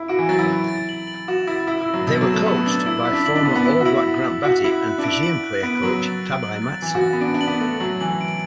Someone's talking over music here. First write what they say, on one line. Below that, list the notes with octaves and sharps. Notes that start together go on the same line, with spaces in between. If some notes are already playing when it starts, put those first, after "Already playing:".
They were coached by former All Black Grant Batty and Fijian player-coach Tabai Matson.
Already playing: E4
F#4 D7
E3
F#3 A6
E4
D7
A6
F#7
F#7
F#4 E7
E4 A6
E4 E6
E4
E6
F#3
B2 A6
F#3
E7
A3
B3 E6
D4 A6
E4 E6
E4
B6
D4
E4 F#7
D4
B3 E6
B3
E4 E6
F#4
E4 F#7
E6
B6
F#4 F#6
E4 F#7
F#6
D4
E4 D7
F#7
F#6
B3 D7
F#3 F#7
A6
D7
F#7
A6
E3 A6
F#4
A6
B3
D4 D7
D4
F#7
B3
A3 F#7
F#3 F#7
E3 F#7
D7